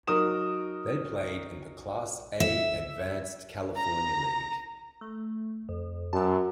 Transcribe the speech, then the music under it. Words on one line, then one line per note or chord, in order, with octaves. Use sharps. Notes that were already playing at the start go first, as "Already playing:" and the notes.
They played in the Class A-Advanced California League.
F#3 D#4 F#4 A#4 D#6 E7
E5
A#5 A#6
A3
F2
F#2 A5 E6